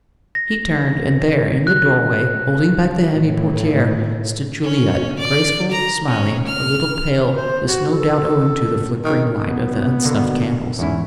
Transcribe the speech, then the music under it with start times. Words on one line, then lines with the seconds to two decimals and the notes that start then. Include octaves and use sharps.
He turned, and there in the doorway, holding back the heavy portiere, stood Juliette, graceful, smiling, a little pale, this no doubt owing to the flickering light of the unsnuffed candles.
0.35 A#6
1.67 F#6
3.13 A2
4.63 C#4
5.19 D5
5.71 A#5
6.08 C#4
6.47 F6
7.37 C5
7.68 F#4
7.92 A4
9.04 D#3
9.44 B3
10.04 B2 D3 A#3
10.79 E2 G#2 C#4 E4